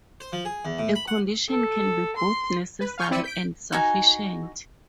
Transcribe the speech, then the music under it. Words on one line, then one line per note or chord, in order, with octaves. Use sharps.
A condition can be both necessary and sufficient.
C5
F3
G#4
E2
A2
B5
F#5
A4
C6
B4
F5 G#5 C#6 F6 G6
C4 E4 D5 E6 C#7 D#7
G6 B6 D7
D#4 F#4 G#5